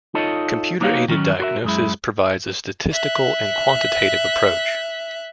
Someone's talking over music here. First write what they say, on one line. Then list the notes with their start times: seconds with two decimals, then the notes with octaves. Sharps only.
Computer-aided diagnosis provides a statistical and quantitative approach.
0.15 D#4 F4 A4 C#5 D#5
0.81 A#3 D#4 F#4 C#5 F5
1.08 D#3 F#3 C#4
1.40 F#4 A#4 C5 E5
1.64 F#2 G#3 E4
2.91 E5 F#6